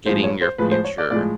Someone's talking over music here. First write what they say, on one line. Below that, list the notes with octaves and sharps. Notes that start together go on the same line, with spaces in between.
getting your future
A2 F3 G#3 C5
C#5
C5
A2 F3 G#3 B4
C5
C#5
D5
A2 F3 G#3 D5